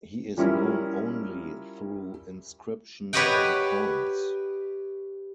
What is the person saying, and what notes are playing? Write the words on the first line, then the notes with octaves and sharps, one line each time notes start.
He is known only through inscriptions on coins.
F3 G3 C#4 E4 A#4
G4 B4 C#5 D#5 F#5 G5